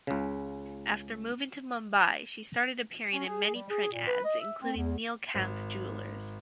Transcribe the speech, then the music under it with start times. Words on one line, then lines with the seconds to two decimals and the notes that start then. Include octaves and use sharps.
After moving to Mumbai she started appearing in many print ads including Neelkanth Jewellers.
0.07 C#2 C#3
3.12 C#4
3.25 G#4
3.55 G3
3.69 G#4
3.92 A#2
4.07 B4
4.25 D#5
4.39 E5
4.62 C4
4.76 E2
5.35 G#1